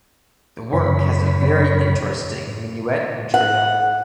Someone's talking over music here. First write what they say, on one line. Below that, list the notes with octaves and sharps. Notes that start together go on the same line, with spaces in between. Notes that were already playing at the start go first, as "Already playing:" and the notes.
The work has a very interesting minuet and trio.
F#2 C#3 C#5 B5
F#5